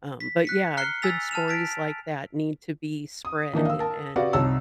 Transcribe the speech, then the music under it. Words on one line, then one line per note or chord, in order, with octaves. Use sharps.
um but, yeah, good stories like that need to be spread and,
B6
F#6 B6 C#7
A#5 F6 F#6 C7 C#7 G7
G#5 E6 A6 B6 F7
A5 F6 E7 F7
A6 B6 D7
D#6
D#3 E3 A#3 D4 D#4
F5 E6
A#4 A5
F#4 G4 B4 D5 F5
C2 D#4 C#5 A5 E6